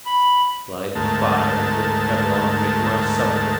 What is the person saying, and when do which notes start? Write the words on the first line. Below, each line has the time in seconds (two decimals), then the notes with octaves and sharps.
Light the fire, and put the kettle on to make my supper.
0.06 B5
0.95 D2 G#2 A3 A#4 A5